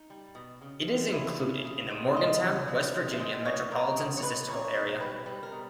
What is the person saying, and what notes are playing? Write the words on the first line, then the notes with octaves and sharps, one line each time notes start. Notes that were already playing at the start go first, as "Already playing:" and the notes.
It is included in the Morgantown, West Virginia Metropolitan Statistical Area.
Already playing: D#4
G3
B2
C#3
G#3
G#3 E4
C#3
C#3
G#3
G#3 D#5
C#3
B2
G#3
E5
G#3 D#5
B2 C#5
A#2 A#4
G#3
C#5
G#3 B4
A#2 C#5
B2 B4
G3 B4
G3 B4
A#4
B2